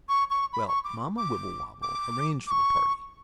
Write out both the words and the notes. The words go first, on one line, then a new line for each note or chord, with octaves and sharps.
Well, Mamma Wibblewobble arranged for the party.
C#6
C#6
B5
C#6
D6
D6
D6
D6
C#6